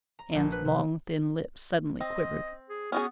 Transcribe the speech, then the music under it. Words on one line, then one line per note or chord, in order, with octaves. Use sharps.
Anne's long, thin lips suddenly quivered.
A#5
A#1
B4
C3
C4 D#5
G#4
B3 C#4 F#4 G#4